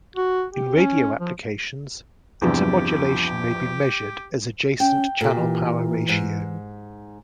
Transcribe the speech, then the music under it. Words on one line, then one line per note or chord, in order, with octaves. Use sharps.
In radio applications, intermodulation may be measured as adjacent channel power ratio.
F#4
G4
C#4
F3
E2 G2 C3 F3 G4
C#4 G5
A#2 G4 A4
E3
G#2